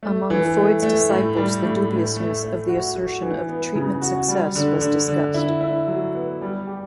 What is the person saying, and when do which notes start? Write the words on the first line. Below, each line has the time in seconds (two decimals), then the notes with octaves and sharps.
Among Freud's disciples the dubiousness of the assertion of "treatment success" was discussed.
0.03 A3
0.30 E3
0.57 A3
0.82 A3
1.10 A2
1.36 G3
1.63 A2
1.90 A2
2.16 A3
2.43 A3
2.69 F#4
2.95 F#4
3.22 E3
3.48 B3
3.75 C#3
4.02 F#4
4.28 G3
4.55 D3
4.81 D3
5.08 D3
5.34 E4
5.61 E4
5.88 F#3
6.15 B3
6.42 G3
6.67 G4